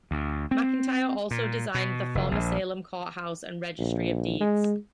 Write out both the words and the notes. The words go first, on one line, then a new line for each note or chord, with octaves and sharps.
McIntire also designed the former Salem Court House and Registry of Deeds.
D2
C4
A#2
B2
F1
A#1
A#1
G#3